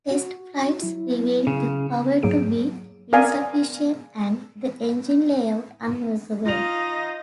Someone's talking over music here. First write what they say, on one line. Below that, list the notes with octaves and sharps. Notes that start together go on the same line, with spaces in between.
Test flights revealed the power to be insufficient and the engine layout unworkable.
F#4
F#3 E4
C#3
G#2 F#3 A#3 G#4 D7
A#4 D5 F5 G#5
D#4 F4 D#5 F5 A#6 F7